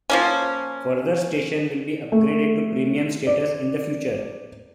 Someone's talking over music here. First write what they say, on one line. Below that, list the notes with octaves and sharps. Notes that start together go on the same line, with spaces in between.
Further stations will be upgraded to premium status in the future.
F3 A#3 C#4
A3
D5